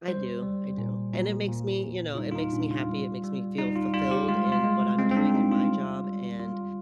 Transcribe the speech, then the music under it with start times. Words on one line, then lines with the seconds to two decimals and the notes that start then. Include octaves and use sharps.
I do, I do. And it makes me, you know, it makes me happy, it makes me feel fulfilled in what I'm doing in my job and,
0.08 G3 C5
0.42 G3
0.78 A#2
1.13 A#2
1.48 A#2
1.83 A#2
2.15 F4
2.18 G3 D#4
2.31 F4
2.35 D#4
2.53 A#2 D4
2.71 F4
2.89 G3
3.24 G3
3.58 G3 D#4
3.76 F4
3.93 G3 F4
4.11 G4
4.28 G#3 F4
4.52 F4
4.64 G#3
4.99 G#3 C4
5.11 C4
5.16 D4
5.34 G#3 D#4
5.52 F4
5.68 G3
6.04 G3
6.39 G3 F4